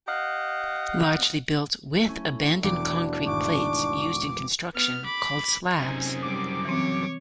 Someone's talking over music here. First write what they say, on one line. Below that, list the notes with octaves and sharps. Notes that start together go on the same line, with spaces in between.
Largely built with abandoned concrete plates used in construction, called slabs.
G4 D#5 F5 F#5
A3 C#4 E4
E1 D4 D6
G#1 C#6 D6
B3 F6
B5 D6
F#2 C3 C4 D#4 G#4
G3 C4 D6
E3 C4 C#5